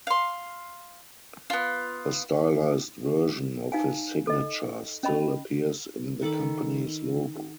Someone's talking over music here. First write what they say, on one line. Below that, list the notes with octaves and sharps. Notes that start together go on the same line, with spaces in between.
A stylized version of his signature still appears in the company's logo.
F5 C6
B3 F4
D#4 F5 G#5
A4 D#5
C#4 D#5 B5
D#3 A4 B5 D6